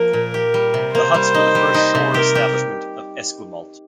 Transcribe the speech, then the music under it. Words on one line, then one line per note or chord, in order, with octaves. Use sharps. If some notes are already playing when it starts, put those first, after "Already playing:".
The huts were the first shore establishment at Esquimalt.
Already playing: F3 A#3 A#4
A#2
G4
G3
C3
A#3 C5
G3
D#4
G3
D#4
C3
G4 A#4
G4